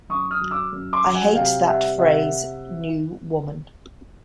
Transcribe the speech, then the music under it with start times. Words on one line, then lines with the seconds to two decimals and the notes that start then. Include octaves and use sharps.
I hate that phrase New Woman.
0.09 F#2 C#6 D#6
0.31 D#6 F6
0.41 F#3
0.51 D6 E6
0.72 F#2
0.93 C6 D6
1.04 F#3
1.14 F#5 G#5
1.35 C3 F5 G5
1.67 G3 E5 F#5
1.98 C3 E5 F#5